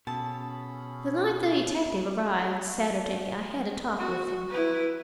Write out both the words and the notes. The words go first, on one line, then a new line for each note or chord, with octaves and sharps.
The night the detective arrived, Saturday, I had a talk with him.
B2 C#4 G#4 A4 A5 B5
F#4
E4 B4